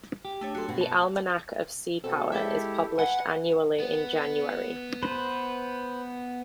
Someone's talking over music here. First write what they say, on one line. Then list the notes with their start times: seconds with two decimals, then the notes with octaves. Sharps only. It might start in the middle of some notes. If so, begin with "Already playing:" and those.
The "Almanac of Seapower" is published annually in January.
0.25 G4
0.41 A3 D4 C#5
0.55 F#3 F#4 A4 C6
0.69 B2 F#4 C#7
0.81 A5
2.04 B2 C4 G4 A4
2.32 G#3 E4 G4 A4 E5
2.99 B4 F#5 G#5
3.80 B3
5.03 B4 C5